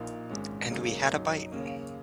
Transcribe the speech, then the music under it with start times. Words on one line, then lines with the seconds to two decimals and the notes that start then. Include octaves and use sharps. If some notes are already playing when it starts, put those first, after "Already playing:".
And we had a bite.
Already playing: A#1 A#2 A#3 D#4
0.30 G#1 G#2 G#3 C#4
0.70 F#2 C#3 F#3 A#3 D#4
1.11 F#2 F#3 D#4
1.52 D#2 C#3 A#3 C#4